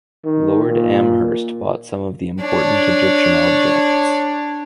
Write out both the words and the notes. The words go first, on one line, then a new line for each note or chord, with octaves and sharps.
Lord Amherst bought some of the important Egyptian objects.
D#3
A#2
D4 C#5